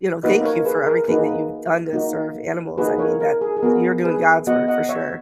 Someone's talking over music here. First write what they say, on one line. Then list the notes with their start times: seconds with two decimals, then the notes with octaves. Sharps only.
you know, thank you for everything that you've done to serve animals. I mean, that you're doing God's work for sure,
0.23 A#3 D#4 F#4 B4 D#5
0.45 A#4 C#5
0.65 G#4 B4
0.86 A#4
1.08 A#3 D#4 F#4 G#4 B4
1.93 A#3 D#4 F#4
2.78 A#3 D#4 F#4 G#4 B4
2.98 A#4 C#5
3.20 A#4
3.41 G#4
3.57 G#4
3.63 B3 F#4 A#4
4.04 G#4 B4
4.47 B3 F#4 D#5 F#5
4.68 D#5 F#5
4.89 C#5 E5